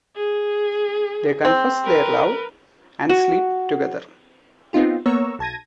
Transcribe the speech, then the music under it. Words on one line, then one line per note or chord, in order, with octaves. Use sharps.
They confess their love and sleep together.
G#4
C4
A#4 B4
F#4
B3 C4 D#4 F4 G4
A#3 B3 C#5 A#5 C#6 E6
B1 A5 G#6 A#6 D#7